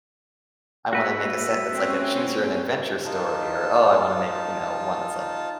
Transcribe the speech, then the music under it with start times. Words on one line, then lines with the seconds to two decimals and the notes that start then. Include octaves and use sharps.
I wanna make a set that's like a choose your own adventure story," or "Oh, I wanna make," you know, "one that's like,
0.93 G#3 A#3 F#4 B4 E5
1.73 C4 C#4
3.05 D#4 F4 A5